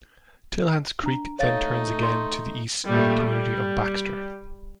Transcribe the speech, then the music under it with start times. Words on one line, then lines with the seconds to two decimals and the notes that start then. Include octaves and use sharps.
Tilhance Creek then turns again to the east near the community of Baxter.
1.03 D4 A#5
1.39 A3 D#4 C#5 F5 A6
2.03 C6
2.89 A#2 G3 A3
3.23 G3